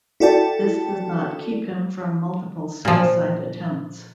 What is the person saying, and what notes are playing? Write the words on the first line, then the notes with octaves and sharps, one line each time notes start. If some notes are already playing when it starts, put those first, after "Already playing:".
This does not keep him from multiple suicide attempts.
E4 F#4 A4 D5 G5 A5
A#2 F3